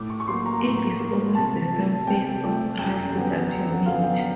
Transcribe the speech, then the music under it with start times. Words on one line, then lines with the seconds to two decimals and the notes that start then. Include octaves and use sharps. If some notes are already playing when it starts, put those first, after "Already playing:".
It is always the same face of Christ that you meet.
Already playing: A2 D6
0.10 C#6
0.20 C#6
0.28 F#3 A#3 C6
0.46 A#5
0.64 A2
1.00 F#3 A#3
1.35 C3 A5
1.72 F3 A3
2.07 C3 G5
2.43 F3 A3
2.79 F#2 G5
3.14 D3 F#3 B3
3.49 F#2
3.68 F#5
3.86 D3 F#3 B3 F5
4.03 G5